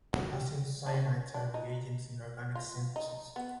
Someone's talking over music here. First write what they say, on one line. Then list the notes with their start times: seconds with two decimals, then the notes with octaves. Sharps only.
Acyl cyanides are reagents in organic synthesis.
0.13 F#3
0.33 G3
0.86 D4
0.94 C#4
1.34 D4
1.54 D#4
2.55 F4
2.96 D#4
3.36 B3